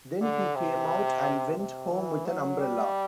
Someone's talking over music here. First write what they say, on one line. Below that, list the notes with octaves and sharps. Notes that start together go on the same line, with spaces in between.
Then he came out, and went home with an umbrella.
D3
C3
C3
E3
F#3
G3